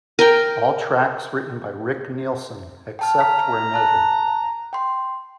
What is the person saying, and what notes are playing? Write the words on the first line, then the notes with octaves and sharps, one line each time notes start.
All tracks written by Rick Nielsen, except where noted.
A#4 G5
G5 A5 F6
A#5 F6 B6
A5 F#6
G5 C6